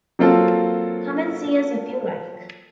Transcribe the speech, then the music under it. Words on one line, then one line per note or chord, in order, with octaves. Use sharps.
Come and see us if you like.
F#3 A#3 C4 F4 A4